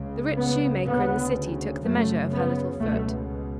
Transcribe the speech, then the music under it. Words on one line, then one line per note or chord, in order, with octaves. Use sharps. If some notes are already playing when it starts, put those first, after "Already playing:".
The rich shoemaker in the city took the measure of her little foot.
Already playing: C#2 C#3
B3
D2 C#3 B3
F#2 C#3 A3
B3
C#2 B2 A3